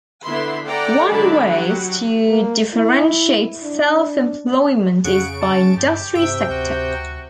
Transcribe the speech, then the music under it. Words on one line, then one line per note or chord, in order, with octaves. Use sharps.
One ways to differentiate self-employment is by industry-sector.
D3 B3 E4 E5 B5 C6
A4 D5 F#5 G5 A#5
D3 F#3 G#3 D5 A5 B5
F#3 F#4 G4 F#5
A#3
E4
D4
F2 C#3 F#5 C#6 D7
A5
G2 G4
G2 C3 E5 G5
D2 F#4